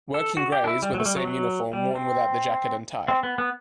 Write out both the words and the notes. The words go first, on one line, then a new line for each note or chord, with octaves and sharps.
"Working grays" were the same uniform worn without the jacket and tie.
A4
F#4
G4
D4
E4
G3
F#3
A3
G3
F#3
F#3
G3
C4
C4
B3
B3